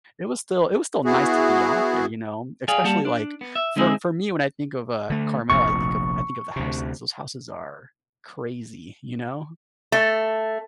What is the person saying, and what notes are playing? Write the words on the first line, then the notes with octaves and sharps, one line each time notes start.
it was still it was still nice to be out there, you know, especially like for for me, when I think of, uh, Carmel, I think of I think of the houses, those houses are crazy, you know?
B3 E4 F#4 G#4
G#4 D5 F5 G5 G#5
G3 A#3 F#5 A5
D4
B3
E5
D3 G#3 C4 D#4 E4 G#4
D3 A3
F1 A#1 F2 C#6
D2 C3
A3